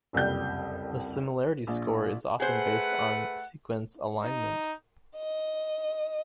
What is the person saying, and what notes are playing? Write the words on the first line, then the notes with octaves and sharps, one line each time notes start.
The similarity score is often based on sequence alignment.
F#1 C2 F2 G3 F6 G6
A#1
A3 G#4 B4 C5 F#5
D#4
D#5